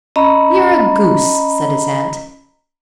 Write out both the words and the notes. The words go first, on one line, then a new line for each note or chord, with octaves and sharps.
"You're a goose!" said his aunt.
C#4 D#5 A#5 B5